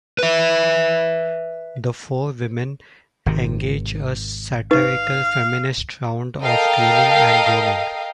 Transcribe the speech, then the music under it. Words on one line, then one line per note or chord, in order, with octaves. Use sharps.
The four women engage a satirical feminist round of cleaning and grooming.
B4 E5
G#1 C3 D#3
D#4 B4 F5
A4 A#4 D#5 F5 G5